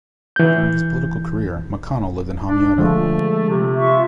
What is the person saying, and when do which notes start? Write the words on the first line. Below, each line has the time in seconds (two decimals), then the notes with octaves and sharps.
During his political career, McConnell lived in Hamiota.
0.36 E3 G6
2.47 D4
2.78 D3 F3 G#3 A3
3.49 C3
3.76 F4 E5 C#6